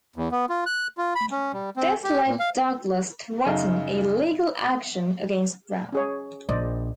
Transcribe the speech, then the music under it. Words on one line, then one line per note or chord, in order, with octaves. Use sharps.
This led Douglas threaten a legal action against Brown.
E2
B3
F4
F#6
F4
B5
C#4
G3
C4
G4
A#2
F5
F#2 C#3 D#4 F5
C#4 G#4 C#5
A#1 C5 D5 D#5